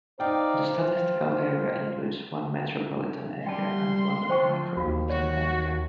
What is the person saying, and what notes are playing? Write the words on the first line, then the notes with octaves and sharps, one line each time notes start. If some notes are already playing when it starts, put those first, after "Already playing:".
The statistical area includes one metropolitan area and one micropolitan area.
D#4 C5 D5 F5 G5
F4
G3 G5 A5 C6
F3 C5 G5 C#6
D#2 F#4 F5
F#4 C#5